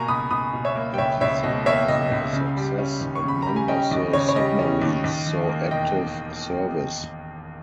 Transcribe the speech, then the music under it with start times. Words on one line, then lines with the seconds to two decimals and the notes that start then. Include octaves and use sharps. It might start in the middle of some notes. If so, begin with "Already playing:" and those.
The design was not a success and none of the submarines saw active service.
Already playing: B2 A#3 G#5 A#5 C#6
0.08 C#2 B5 D#6
0.30 C#2 B5 D#6
0.53 B2
0.65 C#5 E5
0.76 A#3
0.94 G5
0.98 C#2 C#5 E5
1.21 C#2 C#5 E5
1.43 B2 D#5
1.66 A#3 C#5 E5
1.88 C#2 D#5
2.12 C#2
2.33 C#3
2.57 G3
2.79 C#4
3.01 D#2
3.16 C#6
3.24 C#3 B5
3.42 G3 A#5
3.56 G#5
3.68 C#4 D#5 G5
3.91 D#2 D#5
4.13 C#3 C#5
4.29 C#5
4.36 G3 D#5
4.59 C#4
4.82 D#2
5.04 D#2
5.26 D#3
5.49 A#3
5.71 E1 D#5 G5